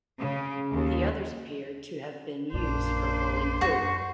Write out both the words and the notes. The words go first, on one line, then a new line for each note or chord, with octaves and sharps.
The others appear to have been used for boiling food.
C#3
D#2
A#1 F#2 A#3 D4 C5 D5
F#2 F#4